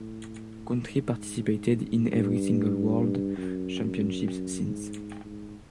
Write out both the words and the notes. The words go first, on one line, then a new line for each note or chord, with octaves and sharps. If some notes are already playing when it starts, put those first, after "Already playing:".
Country participated in every single world championships since.
Already playing: A2
G#2
G2
F#2
G#2
G#2